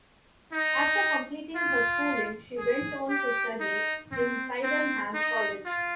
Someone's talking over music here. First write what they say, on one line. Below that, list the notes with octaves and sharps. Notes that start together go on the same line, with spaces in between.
After completing her schooling she went on to study in Sydenham College.
D#4
F4
G#4
G4
D#4
C4
C4
D#4
F4